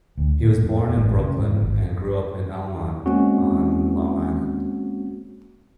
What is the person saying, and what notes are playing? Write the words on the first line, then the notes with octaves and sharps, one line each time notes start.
He was born in Brooklyn and grew up in Elmont on Long Island.
D2
A#2
F2
A1
C#3
G#2
G#1
G#3 A#3 C4 C#4 F#4